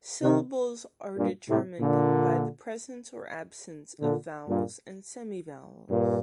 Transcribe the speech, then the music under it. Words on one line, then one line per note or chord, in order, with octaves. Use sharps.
Syllables are determined by the presence or absence of vowels and semi-vowels.
C3 D#3
G2 A#2
A2 C3
A#2 D3
A#2 D3
G2 A#2
G2 A#2